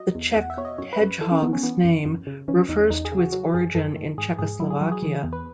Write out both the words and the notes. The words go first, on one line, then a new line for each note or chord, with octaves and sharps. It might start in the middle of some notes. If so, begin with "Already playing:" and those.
The Czech hedgehog's name refers to its origin in Czechoslovakia.
Already playing: F#3 D#5
E2
E2 F#5
E5
B2 C#5
D#5
F#2 C#5
B4
F#2
E3 A4
C#4
E3 B3
C#4
E3 B3
F#2
F#2
C#3
E3 C#4
C#4
E2 D#4
C#4
E2 D#4
G#4
C#3
F#4
F#3 F#4
F#2 G#4
F#2 A4
D#3
G#2 G#4
G#2 G#4
F#3 E4
G#4
F#3 F#4
G#4
E3
E2
B4